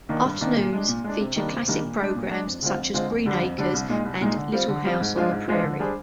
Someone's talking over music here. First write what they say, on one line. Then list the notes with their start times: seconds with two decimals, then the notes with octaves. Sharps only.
Afternoons feature classic programs such as "Green Acres" and "Little House on the Prairie".
0.09 D#3 A#3 D4
0.25 G2
0.41 D#3 A#3 D4
0.56 A#2
0.72 G#3 D4
0.88 A#2
1.04 G#3 D4
1.20 C3
1.36 D#3 G3 A#3 D4
1.51 C3
1.67 D#3 G3 A#3 D4
1.83 A#2
1.99 G#3 D4
2.15 A#2
2.31 G#3 D4
2.47 F2
2.62 D3 G#3 C4 F4
2.78 F2
2.94 D3 G#3 C4 F4
3.10 F2
3.26 D3 G3 D4
3.42 F2
3.58 D3 G3 D4
3.73 C2
3.89 A#2 G#3 D#4
4.05 C2
4.21 A#2 G#3 D#4
4.36 D3
4.52 G3 C4 F4
4.68 D3
4.84 G3 C4 F4
5.00 G#2
5.16 F3 G#3 D4 F4
5.31 G#2
5.48 F3 G#3 D4 F4
5.63 D3
5.79 G3 D4 G#4 C5